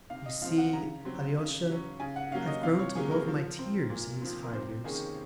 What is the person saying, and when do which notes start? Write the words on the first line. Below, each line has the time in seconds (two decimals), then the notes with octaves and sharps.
You see, Alyosha, I've grown to love my tears in these five years....
0.10 C3 F5
0.26 D#5
0.42 F3 C4 F5
0.58 F#5
0.73 C#3 A#5
1.05 F#3 C4
1.37 C#3
1.69 F#3 C#4
2.00 C#3 G#5
2.16 F#5
2.31 F#3 A#3 C#4 F5
2.47 D#5
2.63 C3 F5
2.79 C#5
2.95 F#3 A#3 C#4 G#4
3.11 A#4
3.27 F3
3.59 C4
3.90 A#2
4.22 F3 C4
4.43 A#4
4.53 C3 C5
4.84 D#3 A#3 C#4 G#4